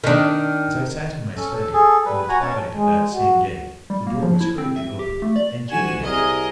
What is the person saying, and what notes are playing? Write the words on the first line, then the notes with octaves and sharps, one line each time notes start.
As I sat in my study, in the twilight of that same day, the door was hurriedly opened, and Judy entered.
D#3 D4
C#4 A4
A4
G#4 A4
G3 B4
F#4 F#5 G#5 A#5
C#4 C#5 A5
G#3
F#4
G3
A#3
F3
E4
C4
E5
G4
A3
D5
D2 F#4 G#5 E7
C2 G#4 A#4 D#5